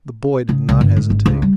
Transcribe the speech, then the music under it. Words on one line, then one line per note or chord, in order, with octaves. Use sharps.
The boy did not hesitate.
C#3
C#2
G1
G#2
G#1
C#2
G3